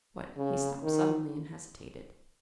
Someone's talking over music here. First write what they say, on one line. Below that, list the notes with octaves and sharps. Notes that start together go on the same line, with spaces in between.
But he stopped suddenly and hesitated.
C#3
D#3